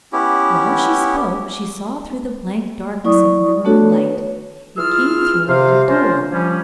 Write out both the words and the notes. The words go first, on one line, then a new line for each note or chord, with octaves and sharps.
While she spoke, she saw through the blank darkness a glimmer of light; it came through a little door.
B3 C#4 E4 G4
F#3 E4 D5 C#6 D#6
A3 B3 D4 F#4 A4 C#5
B4 C#5
E3 F4 G#4 E6 F6
C3 C5 F5
C#4 D4 F4 A#4 C5
F3 G3 C#4